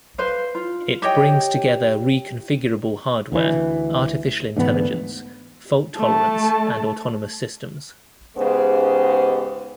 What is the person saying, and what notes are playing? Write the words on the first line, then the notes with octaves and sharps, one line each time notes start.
It brings together reconfigurable hardware, artificial intelligence, fault tolerance and autonomous systems.
B4 C5 F5
F4
G4 C#5 D#5 G5
D2 E3
D2 G#2 E3 B3
A3 A5
G#2 C#3 G#3 B3 G4 C5